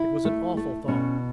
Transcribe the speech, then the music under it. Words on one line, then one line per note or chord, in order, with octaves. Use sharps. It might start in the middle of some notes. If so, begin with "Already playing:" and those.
It was an awful thought!
Already playing: E4
A3
A3
B2 C#4